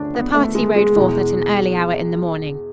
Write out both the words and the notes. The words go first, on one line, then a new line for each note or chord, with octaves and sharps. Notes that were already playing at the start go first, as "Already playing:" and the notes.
The party rode forth at an early hour in the morning.
Already playing: D2 C#4 D4
B3
A3
G#3
G#3
E2 B2